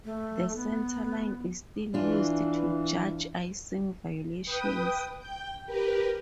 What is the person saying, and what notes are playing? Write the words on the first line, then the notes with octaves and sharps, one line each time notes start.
The centre line is still used to judge icing violations.
A3
B3
E3 D4 F4
B4 G5 D#6
G5 G6
G4 A#4 B4